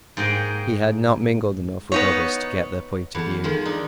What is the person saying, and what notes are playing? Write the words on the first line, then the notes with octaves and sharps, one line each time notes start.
He had not mingled enough with others to get their point of view.
G#2 A#3 G#4 D#5 G5
B3 D#4 C#5
E2 A5
D#3 F3 G#3
D4 D#4